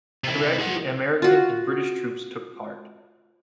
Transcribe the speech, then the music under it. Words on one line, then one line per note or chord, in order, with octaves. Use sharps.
Iraqi, American and British troops took part.
C3 E4
G#4 F#5
F4 F#4